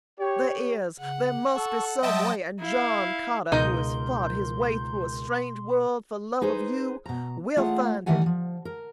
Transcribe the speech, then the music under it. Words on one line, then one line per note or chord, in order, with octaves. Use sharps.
"There is, there must be some way, and John Carter, who has fought his way through a strange world for love of you, will find it."
G4 C#5
C#3 F#5
A4 A5 C#6 E6
F#3 D#5 E5 G5 A5 C6 D#6
E4 F5
C#2 B2 D#4 A#4 D#5 C6 G6
D#4 G#4 B4 C5
B2 A#5
A3 F4 G#4 C#5 F#5
D#3 E3 G3 A3 F#5 G#5
F3
A#4